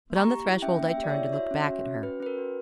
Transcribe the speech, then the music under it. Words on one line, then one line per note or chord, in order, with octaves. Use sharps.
But on the threshold I turned and looked back at her.
A#3
A#5 C#6
G4
E4
C#4 E5 G5
A#3
E5 G5
G4
D5
C#5 E5
E4
F#4 C#5 E5
C#4
F#4
C#4
F#4 B4
C#4 B4
A#4
F#4